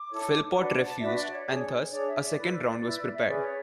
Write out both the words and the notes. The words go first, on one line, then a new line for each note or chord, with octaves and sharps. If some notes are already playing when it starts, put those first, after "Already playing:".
Philpot refused and thus a second round was prepared.
Already playing: D6
E4 A4 C#5
D4 F#4 B4 F#5
D5
A5
D4 F#4 B4 E5
D5
C#5
D4 G#4 C#5
D4 G#4 C#5 D5
E5
D5
E4 B4
E4 B4
E5
C#4 G#4 B4 D5
C#5